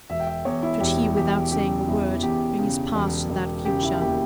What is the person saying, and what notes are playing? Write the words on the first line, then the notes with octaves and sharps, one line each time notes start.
Should he, without saying a word, bring his past to that future?
E1 E5
G5
E5
E2 C#5
E4
E1 G4
E2 G4
C#3 G4
E2 E4
E2 G4
C#3
E1
E1
C#3 G4
E4
D#2 G4